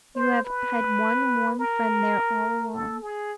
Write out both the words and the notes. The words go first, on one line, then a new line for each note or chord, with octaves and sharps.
You have had one warm friend there all along.'
C5
B4
A#4
A4
G#4